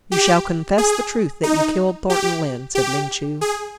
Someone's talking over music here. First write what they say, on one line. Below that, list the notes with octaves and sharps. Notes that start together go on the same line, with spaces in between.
"You shall confess the truth that you killed Thornton Lyne," said Ling Chu.
G4
G#4
D#4
G4
G4
G#4